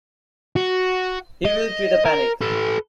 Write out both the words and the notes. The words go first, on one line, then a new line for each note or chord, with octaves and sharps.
He will create a panic.
F#4
D#5
A#4
A4 B4